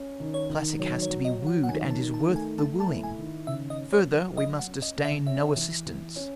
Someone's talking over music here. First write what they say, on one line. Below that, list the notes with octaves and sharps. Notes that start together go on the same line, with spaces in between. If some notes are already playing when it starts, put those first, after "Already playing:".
A classic has to be wooed and is worth the wooing. Further, we must disdain no assistance.
Already playing: C#4
D#3
C#5
D#3
F#3
C#5
F#3
D#5
F#3
F#5
F#5
D#3 G#5
A5
D#3
A5
A3
G#5
A3 A5
A5
E4
G#5
D#3
C#3 E5
D#5
C#4
C#5
F#3
F#3 D#5
F#5
C#4
D#5
C#3
E5
C#4 E5
E3
E3
C#4